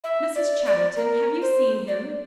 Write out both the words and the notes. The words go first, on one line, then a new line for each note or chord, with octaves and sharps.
"Mrs. Chatterton, have you seen him?"
E5
D5
D5
A#4
C5
D5